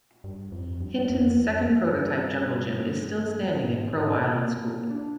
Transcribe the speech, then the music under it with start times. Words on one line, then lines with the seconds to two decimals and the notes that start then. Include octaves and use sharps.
Hinton's second prototype jungle gym is still standing at Crow Island School.
0.24 G2
0.52 F2
0.81 G2
1.10 F2
1.37 F2
1.66 G2
3.63 G#2
3.92 G#2
4.20 C3
4.49 A#3
4.91 D4